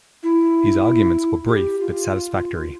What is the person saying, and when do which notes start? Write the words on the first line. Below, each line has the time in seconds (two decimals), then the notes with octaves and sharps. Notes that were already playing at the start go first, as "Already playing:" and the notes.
His arguments were brief but satisfactory.
0.23 E4
1.48 G4
1.80 F4